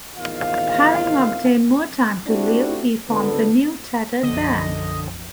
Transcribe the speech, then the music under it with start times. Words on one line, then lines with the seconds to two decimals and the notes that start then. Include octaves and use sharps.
Having obtained more time to live, he forms a new tattered band.
0.17 E2 A2 C3 D#3 F4 F5
2.27 A3 C4 D4 E4 F#4 G4
3.09 G#1 C#2 D3 B3 A4
4.23 B1 F#2 D3 F3 D#5